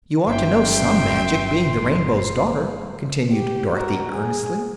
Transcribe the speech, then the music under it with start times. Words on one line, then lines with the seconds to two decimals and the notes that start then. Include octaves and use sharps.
"You ought to know SOME magic, being the Rainbow's Daughter," continued Dorothy, earnestly.
0.27 G1 F#2 E5 G5 C6
3.33 G4
3.74 F#4 A#4
4.12 G#4